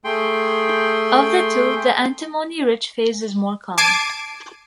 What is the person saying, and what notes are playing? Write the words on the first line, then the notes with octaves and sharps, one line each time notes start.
Of the two, the antimony rich phase is more common.
A3 G#4 G5 C6
A5 D6 G#6 C7 D7 D#7